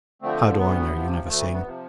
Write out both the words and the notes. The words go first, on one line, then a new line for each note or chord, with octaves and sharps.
How do I know you never sing?
D3 F3 A3 C4
D2 B3
C3 F3
D2 A3
B3
C3 F3